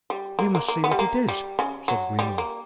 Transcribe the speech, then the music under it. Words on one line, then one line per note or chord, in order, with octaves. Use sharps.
"We must see what it is," said Grimaud.
G3
A#3
A#3
A#3
B3
G3
A#3
G3
C#3
F#3
G3
A#3